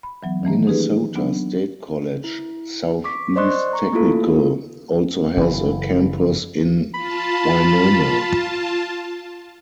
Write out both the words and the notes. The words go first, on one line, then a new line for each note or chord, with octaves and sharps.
Minnesota State College-Southeast Technical also has a campus in Winona.
B5
E3 F#3 B3
D#3 E3 A3 A#3
C#4 D#4 G4 G#4 B4
F#3 B3 D4
E4
C#6 D6 B6
C5 D5 D#5 C6 C#6 F#6
A#5 C#6
A3 A#3 E4 F4 A4
F#1 E3
F4 A5 B5